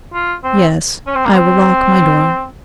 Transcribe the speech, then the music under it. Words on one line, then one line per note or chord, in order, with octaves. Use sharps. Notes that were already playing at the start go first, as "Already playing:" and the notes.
'Yes, I will lock my door.'
F4
C4
C#4
C4
A#3
C4